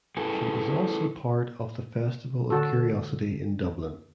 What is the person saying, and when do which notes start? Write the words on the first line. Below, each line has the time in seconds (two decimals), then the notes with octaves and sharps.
She is also part of the Festival of Curiosity in Dublin.
0.17 E4 G#4 A4 B4 G#5
2.50 D3 F#4 A4